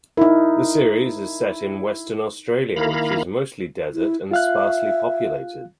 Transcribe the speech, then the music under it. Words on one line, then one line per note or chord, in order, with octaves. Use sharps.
The series is set in Western Australia which is mostly desert and sparsely populated.
D#4 E4 A#4
D#3 A#3 E4 F5 A#5 B5
E4
F4 E5 F5 F#6